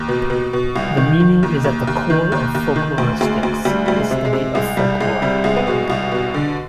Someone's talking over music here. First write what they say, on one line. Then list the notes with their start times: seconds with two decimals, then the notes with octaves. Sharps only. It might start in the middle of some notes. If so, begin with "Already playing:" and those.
This meaning is at the core of folkloristics, the study of folklore.
Already playing: D#2
0.08 B2
0.30 B2
0.53 B2
0.76 C2
0.97 D#3
1.20 D#3
1.43 D#2
1.64 D#2
1.87 D#2
2.10 D#3
2.32 D#2
2.55 D#2
2.76 D#3
2.98 D2
3.21 D2 G#3
3.43 D2
3.65 D2 G3
3.86 D2 G3
3.96 G#3
4.11 C3
4.25 G#3
4.33 C3
4.55 C2 G#3
4.77 C2 G3
5.00 C2 G#3
5.22 C3 G3
5.44 C2 G#3
5.56 B3
5.67 B2 G#3
5.90 C2
6.12 B2
6.34 D3